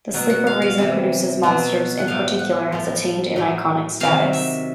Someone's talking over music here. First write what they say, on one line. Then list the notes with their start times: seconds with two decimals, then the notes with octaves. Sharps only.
"The Sleep of Reason Produces Monsters" in particular has attained an iconic status.
0.14 B2 F#3
0.30 F#5
0.47 F5
0.62 F5
0.78 C3 E3
1.43 B2 F#3
1.98 F#5
2.07 A2 F3 F5
2.39 F#5
2.72 A2 F3
3.36 A2 F#3
4.00 C3 D#3 F#3 F5
4.33 E5